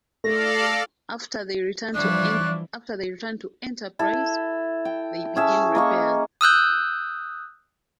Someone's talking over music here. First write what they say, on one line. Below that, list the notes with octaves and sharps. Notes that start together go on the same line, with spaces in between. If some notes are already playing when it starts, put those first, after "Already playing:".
After they return to "Enterprise" they begin repairs.
A3 A4 D5 F5 A#6
E3 F3 G3 D4 E4 C#5 D5 F#6
E4 A4
G5
C#4 G#4 E5 A5
A#3 D#5 C#6
D#6 E6 F#6 G6